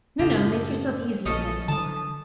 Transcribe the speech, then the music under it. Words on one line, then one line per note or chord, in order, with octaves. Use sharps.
"No, no, make yourself easy on that score."
F#2 A2 C#3 G4 A4 D#5
A#1 F3 C#4 A4 D#5
D3 E3 F#3 A5 D#6